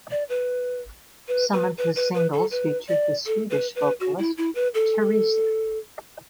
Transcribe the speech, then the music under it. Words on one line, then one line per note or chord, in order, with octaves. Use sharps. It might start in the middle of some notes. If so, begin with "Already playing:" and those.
Some of his singles featured the Swedish vocalist Therese.
D5
B4
B4
B4
B4
B4
B4
A4
B4
D5
A4
B4
B4
F#4
E4
E4
B4
A4